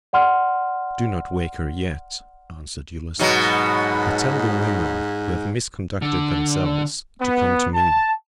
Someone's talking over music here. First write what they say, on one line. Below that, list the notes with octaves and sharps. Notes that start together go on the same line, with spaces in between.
"Do not wake her yet," answered Ulysses, "but tell the women who have misconducted themselves to come to me."
D5 F#5 C6 F6
G#2 B2 F#3 B3
D3
B3
A5